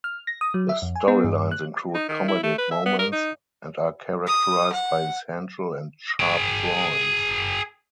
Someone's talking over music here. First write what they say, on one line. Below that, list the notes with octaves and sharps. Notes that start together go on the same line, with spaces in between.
The storylines include comedic moments and are characterised by essential and sharp drawings.
F6
A#6
D#6
F#3
E5
F2
G#5
B3
G2
F#6
D#4
D#3
E4
A3
B4
E5
B3
A#4
D#4
D#6
F#5
G#4 G5